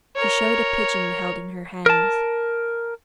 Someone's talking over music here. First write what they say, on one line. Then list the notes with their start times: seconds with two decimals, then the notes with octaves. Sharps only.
She showed a pigeon held in her hands.
0.16 A#4 C#5
1.86 A#4 A5